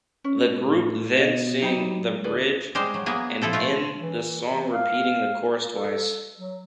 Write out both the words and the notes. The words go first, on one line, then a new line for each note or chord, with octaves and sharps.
The group then sing the bridge, and end the song repeating the chorus twice.
C#4
A2
B2 D#5
F#3 D#4 G4 B5
D2 G#4 B4 D5
G3 G#3 C5
F#3
A#3 B3 G#4
F3 E4 A4 C5
B2 A3 F4
E3
F5
A4
F#3